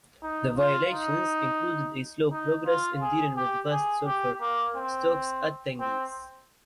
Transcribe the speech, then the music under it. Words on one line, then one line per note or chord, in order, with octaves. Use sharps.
The violations included a slow progress in dealing with vast sulfur stocks at Tengiz.
D#4
F4
D#4
D#4
F4
G#4
G4
G#4
G4
A#3
C4
C4